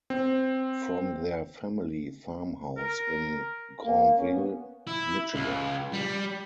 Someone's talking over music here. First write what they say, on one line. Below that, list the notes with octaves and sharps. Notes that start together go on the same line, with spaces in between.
From their family farmhouse in Grandville, Michigan.
C4
A#4
A#3
C#4
B3
E4
C#2
G3